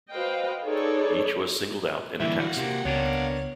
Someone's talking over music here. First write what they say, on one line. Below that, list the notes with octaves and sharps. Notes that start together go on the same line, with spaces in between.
Each was singled out in a taxi.
F#4 B4 C5 D#5 F5 G5
D#4 G#4 A4 B4 C#5 D5
D3 E3 F3 G3 A#3 E5
F#4 F5 F#5
C3 A#3
C#2 B3 D4 A#4 C#5